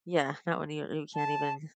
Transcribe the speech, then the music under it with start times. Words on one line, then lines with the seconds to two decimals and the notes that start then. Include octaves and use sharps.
yeah, not when you you can't even
1.15 A5